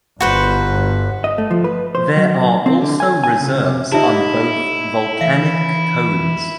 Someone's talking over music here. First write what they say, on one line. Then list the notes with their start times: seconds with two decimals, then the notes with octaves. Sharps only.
There are also reserves on both volcanic cones.
0.20 G1 F#4 B4 C5
1.24 D#5
1.38 A3
1.51 F3
1.64 B4
1.95 C5
2.17 F#3
2.66 C4
2.81 D3
3.00 G#5
3.24 G#5
3.40 C#3
3.65 C3
3.92 D#4 E4 G4 E5 A5
5.21 E3 E5 F5